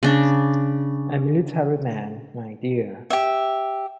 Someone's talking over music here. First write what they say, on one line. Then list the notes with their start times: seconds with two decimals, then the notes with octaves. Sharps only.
A military man, my dear.
0.03 C#3 D4
3.10 G4 E5